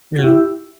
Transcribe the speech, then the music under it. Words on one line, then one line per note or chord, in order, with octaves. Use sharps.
You know?
F#4
E4 G4